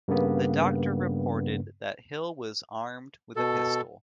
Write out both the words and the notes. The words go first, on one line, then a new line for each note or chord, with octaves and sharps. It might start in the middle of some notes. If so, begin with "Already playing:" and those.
The doctor reported that Hill was armed with a pistol.
G2 C#3 A#3 B3
B2 A4